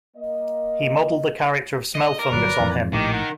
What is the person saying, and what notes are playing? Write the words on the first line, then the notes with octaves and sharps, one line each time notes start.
He modeled the character of Smelfungus on him.
A#3 D#5
D#5
A#4 D6
G1 C#3 F#3 B4 D5
F2 E3
A#1 A2 D#3 D#4 G4
F#5 A#5